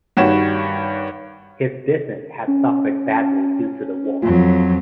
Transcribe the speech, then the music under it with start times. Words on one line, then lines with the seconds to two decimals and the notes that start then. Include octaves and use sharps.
His business had suffered badly due to the war.
0.17 G2 D#3 G3 F#4 C#5 E7
2.47 C#4
4.22 F2 F#3 F4